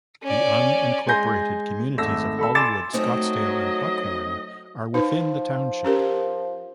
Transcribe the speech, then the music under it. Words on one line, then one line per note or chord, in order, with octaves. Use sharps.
The unincorporated communities of Hollywood, Scottdale, and Buckhorn are within the township.
C#4 D5
G#3 G#5 C6 G6 A#6
G#1 A3 E6 A#6
A4 B5 E6
G#5 C6 D6 A6 E7
F#3 A3 C4 D#4 D#5
F3 D#4 B4
C#4 G4 A#4